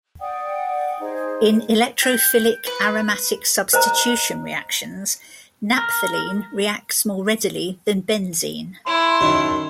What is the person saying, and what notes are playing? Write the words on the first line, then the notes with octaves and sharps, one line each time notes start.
In electrophilic aromatic substitution reactions, naphthalene reacts more readily than benzene.
D5 F#5 G5 D#6
D#4 G#4 C5
G5
B4
C5 D#5 A#5
A#4
A3 E4 C6
F#2 D#3